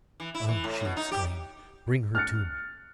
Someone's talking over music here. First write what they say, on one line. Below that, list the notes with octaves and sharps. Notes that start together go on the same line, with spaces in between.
"Oh!" she exclaimed, "bring her to me!"
E3
E4
E3
A2
B2
D#4
G4
F6 F#6 A6 C#7